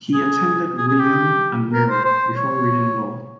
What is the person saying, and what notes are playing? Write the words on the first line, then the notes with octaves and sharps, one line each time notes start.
He attended William and Mary before reading law.
G#4
G#4
G#4
G4
A#4
C5
C5
C#5